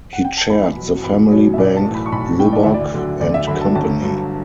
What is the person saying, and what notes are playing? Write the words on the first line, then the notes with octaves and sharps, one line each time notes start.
He chaired the family bank Lubbock and Company.
F#5
G5
A5
E2 B5
B2 F#3
E2 B5
B2 F#3 C#5
E5
B1 D5
A5
A2 E3
B5
C#6
B1 B5
A5
A2 E3 G5
D5
D2 E5
D5
D3 F#3
D2 D5
E5
D3 F#3 B5
A5
G1 A5
G2 F#3